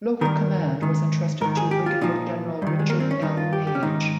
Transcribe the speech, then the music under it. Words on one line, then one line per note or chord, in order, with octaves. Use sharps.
Local command was entrusted to Brigadier General Richard L. Page.
G2 D#3 A#4
G#2 D#3
G#2 D#3 A#4
G#4
G4
F4
A#2 F3 D#4
G2 D#3
G#3
A#3
C4
C#4
G2 D#3 D#4
F4
G4
G4
C#4
G#2 D#3 D#4